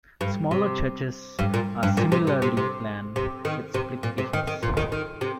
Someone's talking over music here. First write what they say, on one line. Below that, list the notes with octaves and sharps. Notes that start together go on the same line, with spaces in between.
Smaller churches are similarly planned, with simplifications.
G2
C3
G2
A#2
G2
A#2
C3
C3
C3
C3
C3
D#3
C3
A#2
C3
D#3
D#3
A#2
D#3
D#3
C3